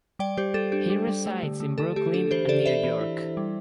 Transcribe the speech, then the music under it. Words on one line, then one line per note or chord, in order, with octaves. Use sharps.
He resides in Brooklyn, New York.
G3 D5 G5
G3 G4 C5
G3 A4
D4 G4
G3
G3
A3
D3
A3
D3 A4
A3 G4
D4 A4
E3 G4 C5
E3 A4 D5
E3 C5 E5
E3
E4
E4
G3